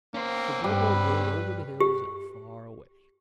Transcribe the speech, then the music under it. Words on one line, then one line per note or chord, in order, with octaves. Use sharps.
So Bobo rode over the hills and far away.
A#3 C#4 C5
G2 G3 B4
G4